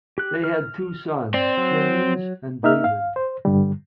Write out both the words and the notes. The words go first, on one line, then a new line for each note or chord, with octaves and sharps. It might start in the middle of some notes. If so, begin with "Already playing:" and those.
They had two sons, James and David.
G4 F#6
F6
C4 D5
F#3
A#3 D#4 E5 F6
F5
C5
G2 D3 G3